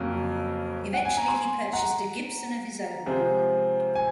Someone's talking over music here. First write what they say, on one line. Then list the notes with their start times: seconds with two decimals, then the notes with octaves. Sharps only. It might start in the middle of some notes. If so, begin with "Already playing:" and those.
Eventually he purchased a Gibson of his own.
Already playing: F2 C#3 F#3 A#3 C#4
0.94 F#5
1.05 G#5
1.17 A#5
1.28 G#5 C6
1.73 F#5 A#5
3.06 C3 F3 G#3 C4
3.95 G#5